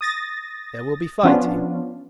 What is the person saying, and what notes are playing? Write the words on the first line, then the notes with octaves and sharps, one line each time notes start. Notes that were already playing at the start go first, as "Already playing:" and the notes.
There will be fighting.
D#6 A6 A#6
F3 B3 C#4 D4 F4